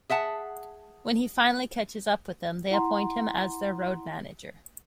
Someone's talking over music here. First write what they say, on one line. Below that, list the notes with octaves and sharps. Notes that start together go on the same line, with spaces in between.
When he finally catches up with them, they appoint him as their road manager.
G#4 E5 F#5 A5
E4 F#5 A#5 C6